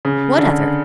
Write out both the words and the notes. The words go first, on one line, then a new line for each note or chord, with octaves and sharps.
"What other?"
C#3
D3